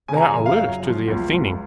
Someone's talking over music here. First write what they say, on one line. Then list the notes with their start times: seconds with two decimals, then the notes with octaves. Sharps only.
'Thou alludest to the Athenian.
0.08 C#3 G#5
0.16 A#5
0.22 G#5
0.34 F#1
0.46 F5
0.58 F#3
0.83 F3
1.08 C#2
1.33 C#2